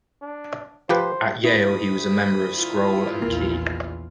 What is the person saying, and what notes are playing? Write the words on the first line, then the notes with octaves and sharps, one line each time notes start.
At Yale he was a member of Scroll and Key.
D4
F3 G4 B4 C5
D2 E4 B5 D#6
E4 F4
A#1 E2 A#3